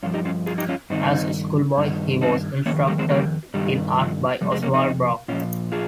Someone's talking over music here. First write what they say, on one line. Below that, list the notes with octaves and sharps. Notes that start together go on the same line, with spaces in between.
As a school boy he was instructed in art by Oswald Brock.
G2 F3 C#4 F4
D#4 G4
C#4 F4
F4 G#4
D#4 G4
C#4 F4
G2 D#3 C4 D#4
G2 D#3
C4 D#4
F2 D#3 A#3 C#4
G3 A#3
G#3 C4
G3 A#3
G2 D#3 G3
F3
F2 C3 G3
G#3 C4
A#3 C#4
C4 D#4
A#2 F3 C#4 F4
F4 G#4